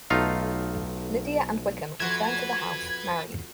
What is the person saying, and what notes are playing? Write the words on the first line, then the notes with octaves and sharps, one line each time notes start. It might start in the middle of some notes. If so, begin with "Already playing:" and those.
Lydia and Wickham return to the house married.
B1 A3 D#4 F4 F5
F2 F#4 B4 E5 C6 G#6